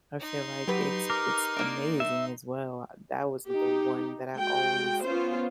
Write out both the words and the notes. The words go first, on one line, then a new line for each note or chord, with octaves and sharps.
I feel like it's it's amazing as well, I that wasn't the one that I always
D#4 C6
F#3 G4 B4
A#4 D6
A#3 D4
E5
D#4 G4
G#3 F#4 G5
B3 C#4 F4 C5